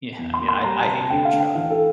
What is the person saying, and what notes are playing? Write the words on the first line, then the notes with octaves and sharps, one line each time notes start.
Yeah, I mean, I I hate paper straws.
E2
C6
A#3
C6
G3 A#5
A5
C3
A5
D2 G5
F5
D2
G5
E3 F5
A4